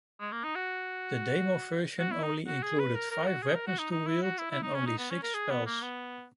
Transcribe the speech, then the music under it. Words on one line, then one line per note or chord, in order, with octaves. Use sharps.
The demo version only included five weapons to wield and only six spells.
G#3
A#3
D#4
F#4
F#4
E4
D#4
F#4
G#4
B4
A#4
A#4
F#4
G#4
A#4
F#4
D#4
D#4
E4
F#4
E4
E4
D#4
C#4
D#4
B3
C#4
A#4
G#4
B3
A#3
B3